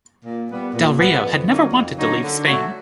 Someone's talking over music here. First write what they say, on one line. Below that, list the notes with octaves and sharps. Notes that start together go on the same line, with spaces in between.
Delrio had never wanted to leave Spain.
A#2
G3 B3
A#2
G3 B3
F2
D3 F#3 A#3 D#4
F2
D3 F#3 A#3 D#4
D3
F#3 A3